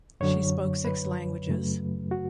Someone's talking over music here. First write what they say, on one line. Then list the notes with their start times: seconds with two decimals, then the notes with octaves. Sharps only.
She spoke six languages.
0.20 F#2 D3 F#3 C#5
0.85 B4
1.48 F#2 C#3 F#3 A3
2.11 F#4